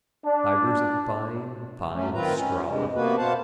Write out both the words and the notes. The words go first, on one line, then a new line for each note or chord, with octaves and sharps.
Fibres of fine fine straw.
D4
F#3 A3 C#4
D#3 C4 F4 B4 A#5
C#4
G2 C3 G#3
C3 A#3 B3 F#4 B4
B2 C5 F5 F#5 A5